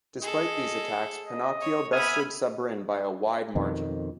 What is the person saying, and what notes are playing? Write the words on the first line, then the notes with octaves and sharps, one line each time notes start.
Despite these attacks Pennacchio bested Sabrin by a wide margin.
G#4 A4 D#5
D#5
C#5
B3 E5 G#5 B5 D#6 F6
F2 B2 D#3